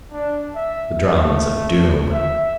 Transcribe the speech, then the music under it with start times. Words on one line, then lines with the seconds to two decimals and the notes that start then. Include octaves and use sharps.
The drums of Doom!
0.11 D4
0.55 E5
1.04 A3
2.11 E5